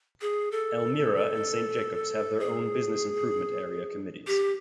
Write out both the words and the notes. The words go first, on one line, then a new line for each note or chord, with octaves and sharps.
Elmira and Saint Jacobs have their own Business Improvement Area committees.
G#4
A4
G#4
G4